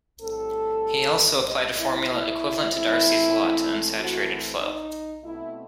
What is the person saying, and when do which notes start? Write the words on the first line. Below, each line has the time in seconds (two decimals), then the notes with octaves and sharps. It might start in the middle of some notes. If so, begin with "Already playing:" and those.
He also applied a formula equivalent to Darcy's law to unsaturated flow.
0.22 A2 G3 C4 A4
1.47 D#5
1.79 E4
2.10 E4
2.73 E3 A3 C4 E4
3.98 F#4
4.61 D#4
5.24 B2 A3 C4 E4